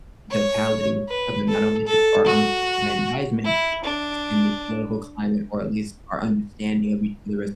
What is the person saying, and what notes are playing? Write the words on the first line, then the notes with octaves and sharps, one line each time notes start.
in totality with each other, not only just for our own self-aggrandizement, but just in the political climate or at least our understanding of each other as
C#5
B4
A4
A4
F#4
E4
D4